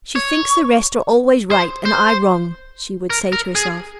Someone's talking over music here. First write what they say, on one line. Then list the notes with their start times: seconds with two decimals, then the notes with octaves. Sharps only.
"She thinks the rest are always right, and I wrong," she would say to herself.
0.16 C#5
1.51 C5
1.85 C5
3.10 A#4
3.33 A#4
3.55 G#4